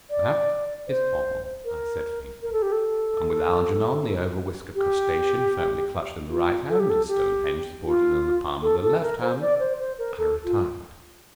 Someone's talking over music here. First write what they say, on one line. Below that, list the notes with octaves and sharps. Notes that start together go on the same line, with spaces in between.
"That is all," I said faintly; and, with Algernon, the overwhiskered crustacean, firmly clutched in the right hand and Stonehenge supported on the palm of the left hand, I retired.
D5
C5
A#4
A#4
A4
G4
A4
G4
F4
A4
G4
A4
G4
F4
A4
A4
A#4
C5
D5
C5
C5
A#4
A4
F4